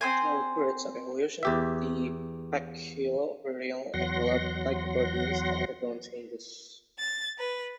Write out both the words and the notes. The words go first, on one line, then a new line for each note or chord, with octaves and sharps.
During periods of evolution, the baculoviral envelope glycoproteins have undergone changes.
C4 C5 G#5
E2 G4 E5
E2 F#3 F#5 C6 A#6
A6
B4